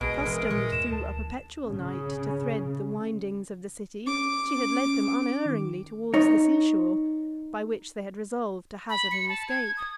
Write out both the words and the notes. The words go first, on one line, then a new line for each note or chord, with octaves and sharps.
Accustomed, through a perpetual night, to thread the windings of the city, she had led them unerringly towards the sea-shore, by which they had resolved to hazard an escape.
A1 B2 G#3 D7
E3 A#4
A#2 C#5
D2 E7
A5
C#3
C#4 D6
D#3
D#4 C#5
B5
C#7
A5
G#6
D#6